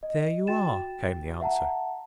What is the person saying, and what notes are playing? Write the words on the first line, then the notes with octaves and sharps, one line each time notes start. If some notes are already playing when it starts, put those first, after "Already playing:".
"There you are," came the answer.
D#5
F#4 G5 A6 E7
E5 F#5 A5 A#5